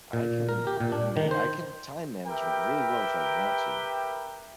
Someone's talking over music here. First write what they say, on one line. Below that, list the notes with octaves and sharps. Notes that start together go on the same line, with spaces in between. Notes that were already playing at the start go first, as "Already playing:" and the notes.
I can ma I can time management really well if I want to.
A#2
A#4
G4
A#2
D4
D#3
C5
G4 A#4 B4 E5 G5